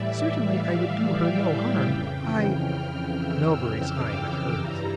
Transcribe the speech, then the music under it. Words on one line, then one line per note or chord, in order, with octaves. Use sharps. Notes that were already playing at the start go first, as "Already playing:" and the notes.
"Certainly I would do her no harm--I--" Melbury's eye met hers.
Already playing: A2 E3 G3 D5 E5
F5
G5
F2 C#3 E3
F6
E6
D6
G2 E3 G3 A#5